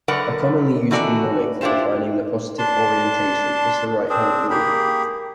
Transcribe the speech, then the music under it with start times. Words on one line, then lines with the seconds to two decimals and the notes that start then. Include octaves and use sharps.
A commonly used mnemonic for defining the positive orientation is the "right hand rule".
0.08 D3 F#3 A#4 B4 D5 F#5
0.91 D#3 E3 F#4 A4 D5
1.61 D4 E4 F4 G4 C5
2.58 D4 A5 C6
4.09 C4 D4 G#4
4.50 A#3 G4 G#4 B5